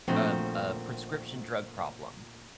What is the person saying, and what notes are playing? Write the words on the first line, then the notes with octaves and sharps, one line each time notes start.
a a prescription drug problem
A#1 A#2 D#3 A3 C4 F#4